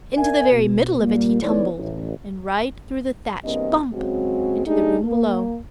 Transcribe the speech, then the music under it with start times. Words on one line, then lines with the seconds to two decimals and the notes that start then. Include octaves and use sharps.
Into the very middle of it he tumbled, and right through the thatch--bump!--into the room below.
0.16 A#4 D5 E5 G#5
0.51 B2
1.00 A#2 G3 A#3
1.42 E3 B3 D#4 A4 C#5 D5
1.78 A1
3.44 E2 G2 A#3 C4 D#5
3.92 C#3 F#3 G#3 C4 F#4
4.66 A3 D4 D#4 G4 G#4
5.04 A#3